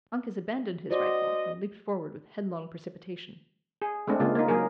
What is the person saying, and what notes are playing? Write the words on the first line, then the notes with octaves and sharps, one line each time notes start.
Uncas abandoned his rifle, and leaped forward with headlong precipitation.
F#4 C5 D5 D#5
G#4
G#3 A3 C4 D4
C#3 G#3 A#3 F4
A#3 D#4
F#3 A#3 G#4 A#4